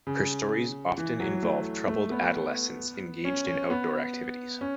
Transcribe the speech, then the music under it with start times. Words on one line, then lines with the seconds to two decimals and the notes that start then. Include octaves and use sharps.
Her stories often involve troubled adolescents engaged in outdoor activities.
0.07 C#3
0.98 E3
1.20 F#3
1.43 A3
1.87 A3
2.11 B3
3.25 C#4
3.47 C#4
3.70 B3
4.61 C#4